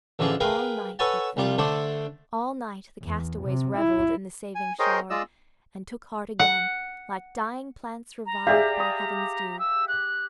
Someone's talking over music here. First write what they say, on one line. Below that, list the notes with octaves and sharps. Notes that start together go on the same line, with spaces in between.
All night it fell, all night the castaways revelled in the saving shower, and took heart again, like dying plants revived by heaven's dew.
A1 D3 E3 F3 F4 G#4
G#4 A#4 B4 F5 G5 A#5
A4 B4 C#5 F#5 G#5 A5
C2 G3 F4 D6
D3 A3 D4 C5 D5 D6
E2
C3
E4
G#5
G#4 A#4 C5 C#5 D#5 G5
G#3 F4 D5 D#5 E6
F#5
A#5
G4 G#4 D5 E5 F5
D#6
E6
F#6